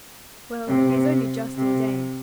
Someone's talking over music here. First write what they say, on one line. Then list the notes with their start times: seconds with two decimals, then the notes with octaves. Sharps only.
Well, he is only just ordained.
0.68 C3
1.58 C3